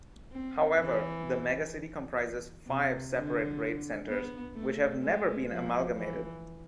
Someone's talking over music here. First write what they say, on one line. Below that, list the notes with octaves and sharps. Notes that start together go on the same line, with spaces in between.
However, the megacity comprises five separate rate centres which have never been amalgamated.
C4
E3
C3
D3
B3
A3
G#3
F3
E3